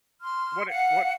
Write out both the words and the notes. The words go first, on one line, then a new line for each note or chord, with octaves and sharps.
what it what
C6 F6
F5 F#5